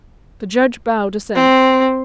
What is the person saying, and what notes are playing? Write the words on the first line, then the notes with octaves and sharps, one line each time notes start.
The Judge bowed assent.
C4